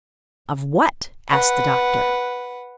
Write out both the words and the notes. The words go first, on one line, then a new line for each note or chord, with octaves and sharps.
"Of what?" asked the Doctor.
B4 F#5